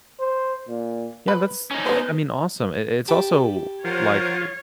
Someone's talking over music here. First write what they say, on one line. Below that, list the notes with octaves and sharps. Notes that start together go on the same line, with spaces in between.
yeah, that's th I mean, awesome, I it's also like,
C5
A#2
B4
C#4 D#4
B3 B4 C5
G4 A5 B5
F3 F4 A#4 C5 C#5 F#5